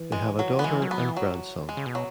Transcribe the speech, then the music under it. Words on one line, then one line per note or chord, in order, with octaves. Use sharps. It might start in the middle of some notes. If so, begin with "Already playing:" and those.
They have a daughter and grandson.
Already playing: E3
G#3
F#3
B3
E3 G#3
F#3
B3
E3
F#3
G#3
C#3
B2
F#3